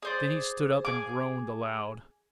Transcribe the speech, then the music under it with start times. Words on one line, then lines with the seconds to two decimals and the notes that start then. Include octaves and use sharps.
Then he stood up and groaned aloud.
0.02 G#4 C5 D5
0.85 G#4 D6